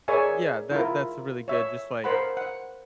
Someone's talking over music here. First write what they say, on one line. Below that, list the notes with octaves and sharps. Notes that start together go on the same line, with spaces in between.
Yeah, that that's a really good just, like,
G#4 A#4 C#5 D5 E5 G#5
E4 F4 A#4
C#5 E5
A#4 C5 F#5 B5
F#5